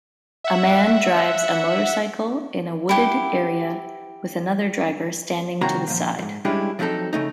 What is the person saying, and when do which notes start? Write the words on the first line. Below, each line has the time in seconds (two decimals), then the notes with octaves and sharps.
A man drives a motorcycle in a wooded area, with another driver standing to the side.
0.44 E5 F#5
2.89 E4 G4 F#5
5.61 C2 D#3 C4 F#4 C#5 A#5
5.87 A#2 F3
6.19 F2 G#2
6.45 G3 G#3 C#4 D4 E4 G4
6.79 F3 F#3 C4 D#4 A4
7.13 C#3 A3 D#4